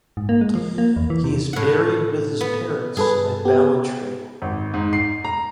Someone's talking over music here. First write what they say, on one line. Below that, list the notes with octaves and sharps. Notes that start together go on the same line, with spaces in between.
He is buried with his parents at Ballantrae.
G#2
A#3
G#3
F3
A#3
E2
E3
C3
A2 F#5
B3
G2 G#4 A4 B4
B3 G4
G#1
G#2
C7
A#5